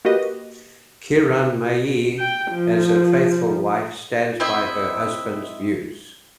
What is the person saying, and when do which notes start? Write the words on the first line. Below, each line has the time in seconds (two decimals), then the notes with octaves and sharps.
Kiranmayee as a faithful wife stands by her husband's views.
0.05 A#3 F#4 G4 B4 D#5
2.19 G5
2.51 F3
4.40 C4 E4 D#5 E5